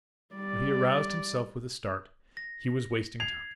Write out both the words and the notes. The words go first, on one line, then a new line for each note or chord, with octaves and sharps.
But--he aroused himself with a start--he was wasting time!
G3 D5
A#6
G#6 C7 F7